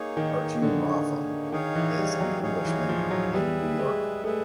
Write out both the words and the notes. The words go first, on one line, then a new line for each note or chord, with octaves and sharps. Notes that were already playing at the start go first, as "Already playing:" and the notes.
Archie Moffam is an Englishman in New York.
Already playing: A#3 D#4 G#4 C#5
D#3
D3 A#3 D#4 G#4 C#5
D#3 D#4 G#4 C#5 F5
E3
G3
F#3
D#4 G#4 C#5 F5
E3
F3
F#3
G3 G#4 B4 E5
G#3
A3 G#4 B4 E5